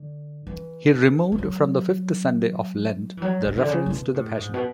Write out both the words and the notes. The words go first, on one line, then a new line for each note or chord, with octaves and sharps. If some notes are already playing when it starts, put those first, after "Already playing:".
He removed from the fifth Sunday of Lent the reference to the Passion.
Already playing: D3
E3
E3
F#3
E3
F#3
B2
D3
C#3
A2
B2
A2
G#2
B2